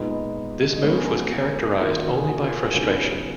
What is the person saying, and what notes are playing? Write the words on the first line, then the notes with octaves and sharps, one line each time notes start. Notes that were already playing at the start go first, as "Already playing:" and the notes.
This move was characterised only by frustration.
Already playing: A#2 G#3 B3 D#4 B4 D#5
B4 D#5
D#5
C#3 G#3 B3 A#4 C#5
G#4 B4
F#4 A#4
D#3 A#3 C#4 F4 G#4
F4
F#4
G#4
F#4 A#4
F4
F#4
C#3 F#3 B3 D#4 F4 G#4
G#4 B4
A#4 C#5